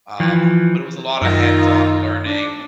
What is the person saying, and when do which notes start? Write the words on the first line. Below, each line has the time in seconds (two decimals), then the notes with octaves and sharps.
Um, but it was a lot of hands-on learning.
0.20 E3 F3
1.22 F#2 D#3 D#4 F4 E6 A#6
2.28 D4